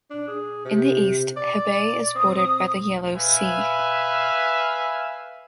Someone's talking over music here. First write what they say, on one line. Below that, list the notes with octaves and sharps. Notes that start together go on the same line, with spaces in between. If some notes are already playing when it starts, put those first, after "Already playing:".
In the east, Hebei is bordered by the Yellow Sea.
D4
G#4
C3
D5
C4 D#6
B4 E5 F5 G#5